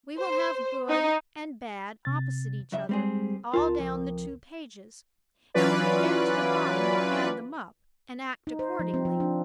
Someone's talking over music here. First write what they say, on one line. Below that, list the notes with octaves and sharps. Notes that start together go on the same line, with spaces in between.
We will have 'Good' and 'Bad' opposite each other, all down the two pages; and when we get to the bottom, we'll add them up, and act accordingly.
C5
D#4
C3 A6
F#2 C#3 E5
G3 G#3 C4 G#4
C#2 F4 A#4 A5
F2
E3 F#3 C#4 F4 B4 D5
D#4
C5
F3
C4
F3
D4